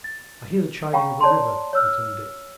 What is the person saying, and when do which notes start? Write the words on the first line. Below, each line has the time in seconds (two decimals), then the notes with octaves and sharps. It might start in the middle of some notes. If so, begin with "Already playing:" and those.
"I hear the chiding of a river," returned Dick.
0.04 A6
0.92 C#5 F5 G5 A#5 B5 C#6
1.21 C#5 D5 A5 A#5 C6
1.73 C#5 E6 F6